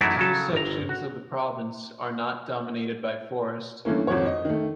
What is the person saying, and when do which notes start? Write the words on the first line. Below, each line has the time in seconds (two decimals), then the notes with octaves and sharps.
Two sections of the province are not dominated by forest.
0.01 F#2 E3 F#3 A3 D#4 E4
0.17 C#3 F#3 A4
0.53 G1 A#5
0.89 F#4
3.85 G2 E3 A3 A#3 C#4
4.07 G#1 F2 F#4 C#5
4.26 D#5
4.45 D#3 A3